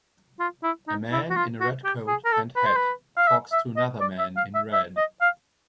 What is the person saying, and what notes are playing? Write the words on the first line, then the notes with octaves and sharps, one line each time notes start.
A man in a red coat and hat talks to another man in red.
F4
E4
D#4
E4
F#4
F4
F#4
G4
G#4
A#4
A4
B4
C5
B4
F5
E5
E5
D#5
D5
E5
F5
E5
E5
D#5
F5